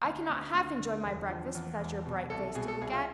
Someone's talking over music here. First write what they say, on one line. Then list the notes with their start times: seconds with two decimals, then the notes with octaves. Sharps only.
"I cannot half enjoy my breakfast without your bright face to look at."
0.04 D2 F5
0.30 D2
0.54 D2
0.80 D3
1.05 E1
1.29 F3
1.55 E2
1.80 E1
2.06 B2
2.30 C2 A4
2.55 B2 G#4
2.68 A4
2.82 C2 G#4
2.93 F4